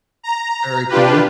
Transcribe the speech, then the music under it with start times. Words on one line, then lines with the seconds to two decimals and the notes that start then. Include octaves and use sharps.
Very cool.
0.23 A#5
0.89 D4 F4 G4 B4